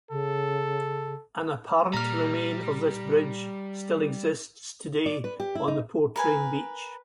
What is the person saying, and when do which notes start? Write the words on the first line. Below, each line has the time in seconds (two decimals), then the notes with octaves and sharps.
An apparent remain of this bridge still exists today, on the Portrane beach.
0.11 C#3 A4
1.93 A#2 G3 A#5 F6 A#6
5.06 D5
5.24 B4
5.40 G4
5.55 E4
5.68 D#4
6.16 A#4 B4 G#5